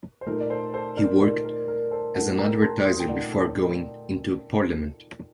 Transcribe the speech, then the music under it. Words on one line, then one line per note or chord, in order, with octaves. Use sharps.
He worked as an advertiser before going into parliament.
C5
A#2 A3 D#4 A#4
D5
A4 C5
A4 C5
A#4 D5
A#2 A3 D#4 A#4 D5
A#4
A#4
A4 C5
A#2 A3 D#4 F#5 A5
G5 A#5
A5 C6
C6 D#6
G5
A#2 A3 D#4 D5 F#5
A4